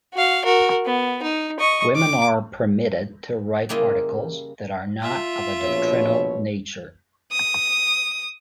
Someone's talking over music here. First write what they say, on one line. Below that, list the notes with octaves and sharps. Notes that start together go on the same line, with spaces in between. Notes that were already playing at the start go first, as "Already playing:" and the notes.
Women are permitted to write articles that are not of a doctrinal nature.
F#4 F5
F#4 A#4
B3
D#4
D#5 C#6
D6
C#3 G3 A#3 E4 F4 D#5
F4 E5
A#1 B2 C#5
D#6